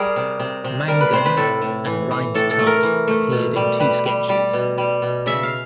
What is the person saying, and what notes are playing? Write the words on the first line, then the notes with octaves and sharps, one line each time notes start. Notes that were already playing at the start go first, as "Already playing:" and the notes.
Mangan and Rhind-Tutt appeared in two sketches.
Already playing: G3 G#4 A#4
C3
C3
C3
G3 A#4
B4
C3 C5
B4
A2 A4
A2
E3
E3
A2 A4
A4
A3
A#4
E3
A3
B2
G3
G3 B4
G3
G3
B2
G3
B2
C#3 E5
F5